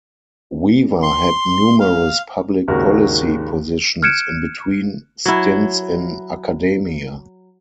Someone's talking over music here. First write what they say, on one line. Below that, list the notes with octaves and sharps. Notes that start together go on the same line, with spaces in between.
Weaver had numerous public policy positions, in between stints in academia.
C6
F5
G#1 D#2 C#3 F#4 A#4
F6 F#6 G#6 C#7 D7 E7
F#3 E4